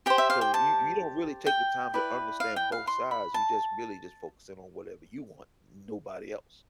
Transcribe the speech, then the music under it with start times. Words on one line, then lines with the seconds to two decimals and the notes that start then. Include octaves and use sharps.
so you you don't really take the time to understand both sides. You just really just focus in on whatever you want, nobody else.
0.06 G4 C5 G5
0.18 E5
0.30 F5
0.41 G5
0.54 A5
1.46 G5
1.94 E4 B4 D5
2.40 F5
2.56 G5
2.72 F5
2.87 C6
3.11 B5
3.34 A5